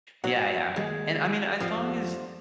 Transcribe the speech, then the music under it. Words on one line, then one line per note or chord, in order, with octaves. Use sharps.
Yeah, yeah. And, I mean, as long as
F#3 C#5 F#5
D#2 G3 G#3
F2 D3 F3 G4